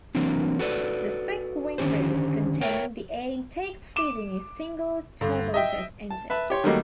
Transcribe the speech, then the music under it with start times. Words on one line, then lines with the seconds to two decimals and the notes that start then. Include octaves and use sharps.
The thick wing roots contained the air intakes feeding a single turbojet engine.
0.15 E3 F#3 A#3 C4 D4
0.59 F#4 A4 B4 D5
1.78 D3 D#3 C#4 G4 C5
2.61 A#4 C#5 E5 G5
3.96 D6 E7
5.21 G2 D3
5.54 D#5 E5 G5
6.10 A5
6.30 B4 E5 A5 B5
6.50 G4 C#5 C6
6.64 D#3 F#3 G3 A3 A#3 D#4